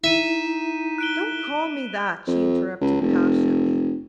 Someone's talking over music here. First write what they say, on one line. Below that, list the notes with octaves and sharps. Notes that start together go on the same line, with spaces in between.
"Don't call me that," she interrupted passionately.
D#4 E4 E5 B6 D#7 E7
F#6 D7 G7
F2
C#2
F1